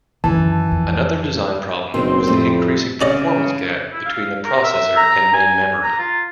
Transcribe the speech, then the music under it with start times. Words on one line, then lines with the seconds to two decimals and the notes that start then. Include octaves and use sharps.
Another design problem was the increasing performance gap between the processor and main memory.
0.24 F#2 D#3 E3 A5
0.71 F2
1.94 F#1 B2 D#3 C4
2.27 F2 A2 G3
3.01 C#3 C#4 D5 D#5
3.93 E4
4.06 F5
4.44 A#4
4.63 E5
4.97 A#5
5.34 G#5
5.83 A#5
5.98 F4